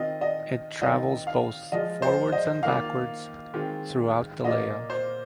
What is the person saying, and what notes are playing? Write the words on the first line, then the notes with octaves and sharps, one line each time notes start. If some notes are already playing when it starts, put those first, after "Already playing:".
It travels both forwards and backwards throughout the layout.
Already playing: D#3 C4 F4 D#5
D#5
D#3 C4 F4 D#5
F5
F3 G#3 F4 D#5
C5
D#5
D#3 A#3 F4 F5
D#3 G#3 C4 F4
A#2 A#3 F4 D#5
C5